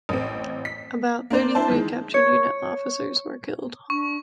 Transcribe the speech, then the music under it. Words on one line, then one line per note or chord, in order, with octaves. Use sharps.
Around thirty-three captured unit officers were killed.
A1 C4
B6
A#3 D4 C5 D5
C4 D4 E4 C5 A5
D#3 E3 G#3
C#5
D4 C#6